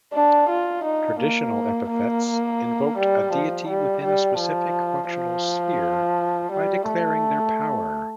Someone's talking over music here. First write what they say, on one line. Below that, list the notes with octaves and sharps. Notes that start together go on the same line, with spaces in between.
Traditional epithets invoked a deity within a specific functional sphere by declaring their power.
D4
F4
D#4
A#3
A#3
G3
F3
G3
G3
F3
F3
G3
A3